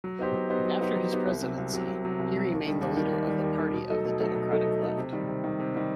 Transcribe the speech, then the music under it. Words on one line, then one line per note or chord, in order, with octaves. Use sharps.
After his presidency, he remained the leader of the Party of the Democratic Left.
F#3
B3 D#4 G4 C5
F#3
B3 D#4 G4 C5
F#3
B3 D#4 G4 C5
F#3
B3 D#4 G4 C5
C2
C3 F#3
C2
C3 F#3
C2
C3 F#3
C2
C3 F#3
D#2
D#3 G3
D#2
D#3 G3
D#2
D#3 G3
D#2
D#3 G3
B2
F#3 A3 D#4 A4
B2
F#3 A3 D#4 A4
B2
F#3 A3 D#4 A4
B2
F#3 A3 D#4 A4
C3
D#3 G3
C3
D#3 G3
C3
D#3 G3